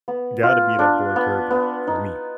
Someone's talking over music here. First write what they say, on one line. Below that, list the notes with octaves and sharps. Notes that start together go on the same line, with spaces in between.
gotta be that boy Kirby, for me.
B3
F4
D4
B3
B3
D#4